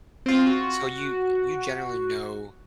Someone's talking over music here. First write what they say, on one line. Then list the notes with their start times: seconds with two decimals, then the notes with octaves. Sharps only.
So, you y you generally know
0.26 C4 F4
0.46 F#4